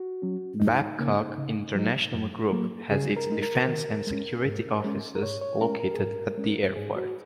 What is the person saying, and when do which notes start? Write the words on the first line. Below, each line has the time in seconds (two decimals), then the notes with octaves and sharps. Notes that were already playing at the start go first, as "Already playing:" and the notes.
Babcock International Group has its Defence and Security offices located at the airport.
Already playing: F#4
0.22 F#3 C#4
0.60 F#2 D#4
0.99 C#3 A#3 C#4
1.38 C#3
1.75 F#3 D#4
2.14 F#2
2.52 F#3 A#3
2.91 C#3 G#4
3.17 A#4
3.30 G#3 D#4
3.42 A#4
3.68 D#3
4.07 G#3 C#4
4.45 G#2
4.84 G#3 C#4
5.15 A#4
5.22 G#2 C#5
5.41 C#5
5.61 G#3 C#4 A#4
5.80 A#4
5.94 G#4
5.99 G#2 A#4
6.38 G#3 C#4
6.76 G#2 G#4
6.96 F#4